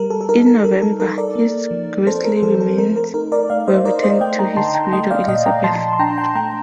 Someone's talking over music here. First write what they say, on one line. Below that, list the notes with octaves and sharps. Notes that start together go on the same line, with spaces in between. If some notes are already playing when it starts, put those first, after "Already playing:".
In November his grisly remains were returned to his widow Elizabeth.
Already playing: G3 A#4
A4
A4
D#4 A#4
A#4
G3 A#4
A4
D#4 A#4
A#4 D5
A#3
F3
C4 A4 C5
A#4
F3 A4
A4
A3 A#4
A#4
D#4 A#4
A#4 D5
A3 D5 F5
C5 D#5
D#4 A#4 D5
C5 D#5
A3 D#5 G5
G5 A#5
D3 A5 C6
G5 A#5
A3 D#5 G5
D5 F5
A#2 D#5 G5
G5 A#5
F3 A5 C6
C6
D4 G5 A#5
G5 A#5
A3 G5 A#5